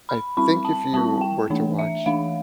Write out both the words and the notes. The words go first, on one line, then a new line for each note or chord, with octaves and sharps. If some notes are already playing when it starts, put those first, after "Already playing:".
I think if you were to watch,
B5
G3 C4 E4 B5
A5
G3 C4 E4 A5
G5
E3 A3 D4
E5
E3 A3 D4 F5